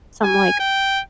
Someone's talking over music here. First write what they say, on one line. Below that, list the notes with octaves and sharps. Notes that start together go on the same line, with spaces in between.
some, like,
G#5
G5